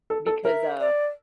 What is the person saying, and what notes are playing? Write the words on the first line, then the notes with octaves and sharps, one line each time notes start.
Because, uh
A4
A4
A#4 E5
D5